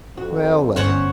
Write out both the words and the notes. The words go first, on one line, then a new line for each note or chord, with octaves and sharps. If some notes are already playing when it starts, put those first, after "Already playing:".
"Well, let him."
F2 C4 F#4
G1 C#4 C5 C#5 F#5